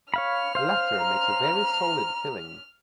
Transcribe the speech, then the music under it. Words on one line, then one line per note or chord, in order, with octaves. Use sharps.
The latter makes a very solid filling.
C#5 F5 B5 F6
C5 F5
A#5